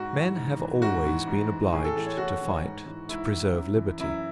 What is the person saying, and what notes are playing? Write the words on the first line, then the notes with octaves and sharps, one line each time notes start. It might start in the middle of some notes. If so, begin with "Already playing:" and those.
Men have always been obliged to fight to preserve liberty.
Already playing: G#2 F#4
E3
G#2
E3
G#2 F#4
E3
G#2
E3
A2 G#4
A4
E3 A4
C#5
A2 F#4
E3
G#2
E3
G#2 E4
E3
F#2
E3
F#2 E4